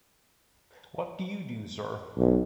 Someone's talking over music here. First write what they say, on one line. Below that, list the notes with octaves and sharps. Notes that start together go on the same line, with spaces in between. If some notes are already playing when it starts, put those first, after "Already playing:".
What do you do, sir?
B1